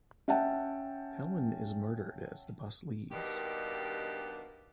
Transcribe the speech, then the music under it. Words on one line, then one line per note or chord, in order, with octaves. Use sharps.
Helen is murdered as the bus leaves.
C#4 E5 F#5 G5 A5
G2 B2 D#3 A#3 D4 G4